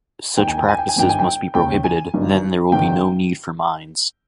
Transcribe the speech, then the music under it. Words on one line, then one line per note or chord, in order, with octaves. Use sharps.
Such practices must be prohibited; then there will be no need for mines.
D#2 D#3 G5
G#5
G5
G#5
G5
G#5
G1 G2 D#3 G5
G#5
G5
D#2 C#3 G5
G#5
G1 G2 D#3
G1 G2 D#3 G5